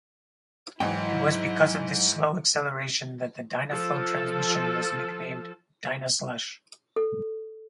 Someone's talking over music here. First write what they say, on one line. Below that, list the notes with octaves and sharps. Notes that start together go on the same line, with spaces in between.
It was because of this slow acceleration that the Dynaflow transmission was nicknamed Dynaslush.
G#2 E3 F#3 D#4 E4 D#5 G5
F3 F4 A4 A5
A4